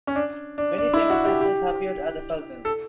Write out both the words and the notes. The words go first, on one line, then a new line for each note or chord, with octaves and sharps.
Many famous actors have appeared at the Fulton.
C#4
D4
D4
D4
E4
F#4
G4
G4
A4